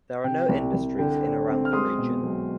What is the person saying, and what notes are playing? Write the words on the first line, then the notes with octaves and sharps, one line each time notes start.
There are no industries in around the region.
C3 G5
C2
C2
D3 G5
C4
C4
F6
G#3 C6 D#6
B2
B1